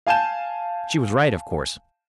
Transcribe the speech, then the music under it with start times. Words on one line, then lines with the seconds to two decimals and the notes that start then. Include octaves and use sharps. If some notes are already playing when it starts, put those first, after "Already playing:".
She was right, of course.
0.07 F5 G#5 A5 G6 E7